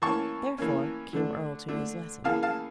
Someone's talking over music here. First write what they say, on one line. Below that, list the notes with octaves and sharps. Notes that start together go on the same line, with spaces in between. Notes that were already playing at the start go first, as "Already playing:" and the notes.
Therefore, came Earle to his lesson.
E3 A#3 C#4 A5 C#6
E3 A#3 C#4
D3 A3 D4
D3 A3 D4
C#3 E3 A#3 F5 A5
F5 A5